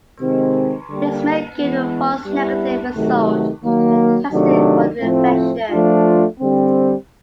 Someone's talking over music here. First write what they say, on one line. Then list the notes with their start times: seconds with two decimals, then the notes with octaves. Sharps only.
This may give a false negative result when testing for the infection.
0.21 C3 D#3 G#3 C4
0.89 D3 G3 A#3
1.58 E3 G#3 B3
2.26 G3 B3 E4
2.96 C3 D#3 F#3 A3
3.63 D#3 F#3 A#3
4.32 C3 D#3 F#3 A3 D4
5.01 A2 F3 A3 C4
5.71 F3 A3 D4 F4
6.39 D3 G3 C4